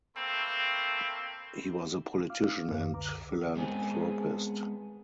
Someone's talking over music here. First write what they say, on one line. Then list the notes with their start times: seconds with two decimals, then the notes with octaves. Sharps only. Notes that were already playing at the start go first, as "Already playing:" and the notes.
He was a politician and philanthropist.
0.17 A3 A#3 C4 B5
2.30 F5 D6 F6
2.71 F#2 B4 F5
2.92 C#2 D3 A#5 D6
3.56 G#3 B3 C4 G#4